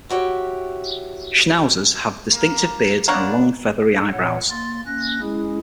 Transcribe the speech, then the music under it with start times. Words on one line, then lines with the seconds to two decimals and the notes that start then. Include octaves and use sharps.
Schnauzers have distinctive beards and long, feathery eyebrows.
0.09 E4 F#4 G4 C#5
2.30 A#3
3.08 A#3 B3 D4 C#5 F#5
4.12 A#2 C#5 F#5
4.50 A#3 C6 A6
4.86 A#3 C#4 F#6 A#6
5.21 G#3 C#4 E4 G#4